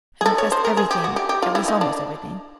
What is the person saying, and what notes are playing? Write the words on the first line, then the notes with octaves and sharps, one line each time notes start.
I confessed everything--at least, almost everything.
G#4
A4
C#5
C5
A#4
G#4
G4
F#4
G4
G4
F4
E4
D#4
D4